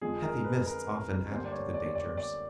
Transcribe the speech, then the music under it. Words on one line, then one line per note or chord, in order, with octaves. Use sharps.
Heavy mists often added to the dangers.
F2 D3 F3 G#3 G#4
A#4
B4
A#4
D2 D3 G3 A#3 C5
D5
C#5
D5
D5
D5